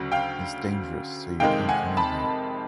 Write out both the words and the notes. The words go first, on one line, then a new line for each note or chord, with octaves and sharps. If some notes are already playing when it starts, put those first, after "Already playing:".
It’s dangerous, so you can’t come in here.
Already playing: D2 C#3 F#3
F5 G5
F2 C3 D#3 G#3 F5 G5
F#5 G#5
A5 B5